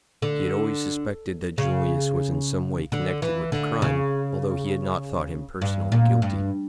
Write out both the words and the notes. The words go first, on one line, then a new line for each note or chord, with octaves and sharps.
He had always suspected that Julius was in some way connected with the crime, although he had not thought him personally guilty.
D3
C#3
D3
E3
D3
C#3
G2
A#2
G2